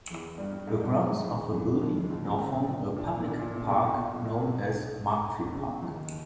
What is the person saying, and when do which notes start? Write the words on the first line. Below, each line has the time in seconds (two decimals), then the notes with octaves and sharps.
The grounds of the building now form a public park known as Markfield Park.
0.10 E2 E3
0.38 G2 G3
0.53 G2 G3
0.67 G#2 G#3
0.81 G2 G3
0.96 G#2 G#3
1.19 D#3
1.24 E2 E3
1.53 E2 E3
1.76 E3
1.81 D#2 D#3
2.01 C#3
2.10 D#2 D#3
2.24 C#2 C#3
2.39 C#2 C#3
2.53 B1 B2
2.67 A#2
2.96 A#2
3.20 A#2
3.25 B1 B2
3.39 A#2
3.53 A#2
3.62 C#3
3.68 B1 B2
3.82 B1 B2
3.97 A#2
4.11 B1 B2
4.25 A#2
4.39 B1 B2
5.43 B2
5.53 C#2 C#3
5.82 D#2 D#3